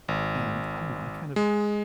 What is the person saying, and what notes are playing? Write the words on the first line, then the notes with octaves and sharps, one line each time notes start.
and I don't know, I kind of
G#1
G#3